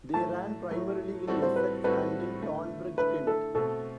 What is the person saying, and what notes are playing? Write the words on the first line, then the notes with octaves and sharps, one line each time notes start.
They ran primarily in Essex and in Tonbridge, Kent.
A2 F#3 A3 A5
A2 F#3 A3
A2 G3 C4 F#4 A4
C5
B4
A2 G3 C4 F#4 A4 B4
D3 A3 E4
D3 A3 E4 B4
A4
B2 A3 C4 A4